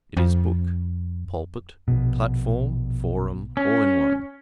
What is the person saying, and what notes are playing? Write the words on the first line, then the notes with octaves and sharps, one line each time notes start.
It is book, pulpit, platform, forum, all in one.
F2
A#1 B2
C#4